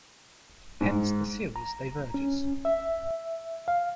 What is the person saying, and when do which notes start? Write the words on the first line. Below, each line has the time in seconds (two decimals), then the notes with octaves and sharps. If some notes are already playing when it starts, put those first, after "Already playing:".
Hence the series diverges.
0.81 G#2
1.56 A#5
2.14 C#4
2.65 E5
3.68 F5